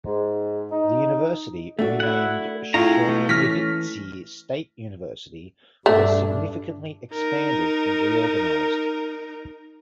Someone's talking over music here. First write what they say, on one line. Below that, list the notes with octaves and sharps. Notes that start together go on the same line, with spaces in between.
The university, renamed "Chernivtsi State University", was significantly expanded and reorganized.
G#2
D#4
A3 D4 F#4
E4 F#5
A2 F4 G#4 A#5
A3
E3 A3 C#4 F6 A#6 B6
G2 A3 D4
D#4 A#4